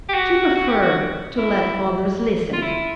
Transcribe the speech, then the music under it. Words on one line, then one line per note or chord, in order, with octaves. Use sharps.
She preferred to let others listen.
G4
F#4
F#4
G4
F#4
E4
F4
E4